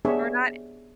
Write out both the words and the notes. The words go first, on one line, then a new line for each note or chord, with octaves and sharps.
Or not
B3 D4 G4 G#4 C#5 E5